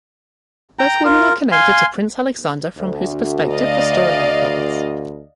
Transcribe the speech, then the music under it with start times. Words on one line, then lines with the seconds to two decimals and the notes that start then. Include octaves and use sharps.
Both women are connected to Prince Alexander from whose perspective the story unfolds.
0.79 G5 A#5
1.05 F4 A#4
1.52 F5 G#5 C6
2.77 D2
3.51 D5 D#5 F5